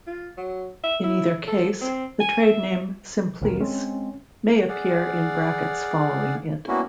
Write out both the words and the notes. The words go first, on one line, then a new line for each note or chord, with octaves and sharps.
In either case, the trade name "Simplesse" may appear in brackets following it.
F4
F#3
E5
E4
A4
C4
G#5
E5
A1 D2 A#2 A#4
G#3 C4 C#4
G#4 D5 F5 F#5
G3 A#3 B3 C#4 E4 F#4